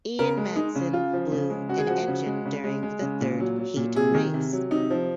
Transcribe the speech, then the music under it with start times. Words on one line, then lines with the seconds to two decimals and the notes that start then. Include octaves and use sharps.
Ian Madsen blew an engine during the third heat race.
0.19 C#3 A#4
0.37 G#3
0.56 G#3 D#4
0.75 C#3
0.93 C#3 F4
1.13 F3
1.32 C#3
1.50 G#3
1.69 C#3 F#4
1.78 G#4
1.87 F3 F#4
2.08 C#3
2.26 G#3
2.46 C#3
2.64 G#3
2.83 G#3
3.01 C#3
3.21 A#2
3.40 F#3
3.58 F#3
3.76 A#2
3.96 C3 G#4
4.15 D#3
4.34 C3
4.53 F#3
4.71 C3 D#4
4.90 F3